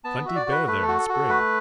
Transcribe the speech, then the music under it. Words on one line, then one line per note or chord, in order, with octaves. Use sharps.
"Plenty bear there in spring!"
B3 A5
F#4 E5
D5
F#4
B4
A3 B4
A4
F#4
A4
F#4 A4
A3 B4